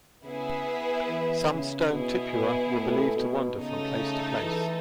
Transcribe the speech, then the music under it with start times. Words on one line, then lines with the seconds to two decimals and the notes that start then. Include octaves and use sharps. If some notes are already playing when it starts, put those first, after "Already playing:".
Some stone tipua were believed to wander from place to place.
0.24 C#3 B3 E4 G#4 B4 E5
1.07 E3
1.49 C#3
1.91 B2 B3 E4 G#4
2.75 A2
3.16 B2
3.58 C#3 A3 D#4 A4
4.42 E3